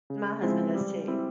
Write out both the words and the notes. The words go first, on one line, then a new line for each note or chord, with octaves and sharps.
My husband does too.
C#3
F3 G#3 C4 E4
G3
C4 E4